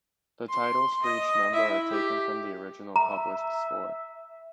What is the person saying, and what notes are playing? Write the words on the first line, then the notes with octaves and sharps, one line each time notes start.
The titles for each number are taken from the original published score.
C6
D#5
E4 E5
G4
E5 A#5